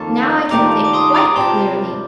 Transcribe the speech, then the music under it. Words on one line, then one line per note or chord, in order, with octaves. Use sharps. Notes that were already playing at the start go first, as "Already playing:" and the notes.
"Now I can think quite clearly."
Already playing: F2 D#3 A#3 F4 A4
G2 D#3 A3 D4 F4 A#5 D6
D6
C6 D#6
A#5 D6
C3 G3 D4 F4 A5 C6